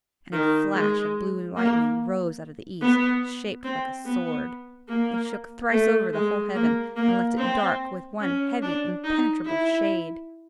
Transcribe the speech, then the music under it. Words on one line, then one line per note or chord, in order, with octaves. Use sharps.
And a flash of blue lightning rose out of the east, shaped like a sword; it shook thrice over the whole heaven, and left it dark with one heavy, impenetrable shade.
D#3
G#3
A#3
B3
C4
B3
A#3
A3
G#3
A#3
A#3
C4
C#4
D4
D#4
E4